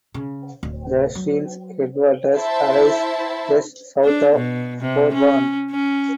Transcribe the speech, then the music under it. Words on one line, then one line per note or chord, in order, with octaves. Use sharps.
The stream headwaters arise just south of Bourbon.
C#3
D1
F#3
E4 C5 E5 A5
D4
B2
C3
C#4
C#4